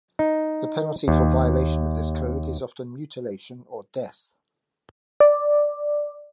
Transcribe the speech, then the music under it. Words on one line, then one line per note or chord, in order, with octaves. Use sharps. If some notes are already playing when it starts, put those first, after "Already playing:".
The penalty for violation of this code is often mutilation or death.
D#4
D#2
D5